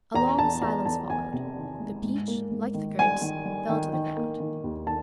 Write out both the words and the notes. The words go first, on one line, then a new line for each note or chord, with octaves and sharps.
A long silence followed; the peach, like the grapes, fell to the ground.
E2 A#5
E2 A5
E2 A#5
E2 A5
E2 G#5
C3
D#3
G#3
G#2
A#3
G#2
D#3
G3 G#5
D#3
G3
D#3
D#3
A#3
D#3
D#2
D#3 A5